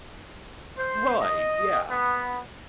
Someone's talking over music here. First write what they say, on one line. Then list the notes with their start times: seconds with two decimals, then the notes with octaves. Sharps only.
Right, yeah.
0.77 C5
1.20 D#5
1.90 B3